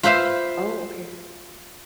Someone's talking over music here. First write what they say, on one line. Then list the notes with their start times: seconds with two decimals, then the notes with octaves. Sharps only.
Oh, okay.
0.03 F4 B4 C5 E5 F5